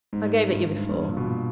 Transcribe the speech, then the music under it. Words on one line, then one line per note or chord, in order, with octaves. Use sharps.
'I gave it you before.
G#2
G2
G2
G2
G2
A#2
B2
A#2